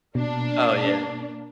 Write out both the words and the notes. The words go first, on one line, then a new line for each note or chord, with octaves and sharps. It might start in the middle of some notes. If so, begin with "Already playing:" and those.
Oh, yeah.
B2 A#3 D4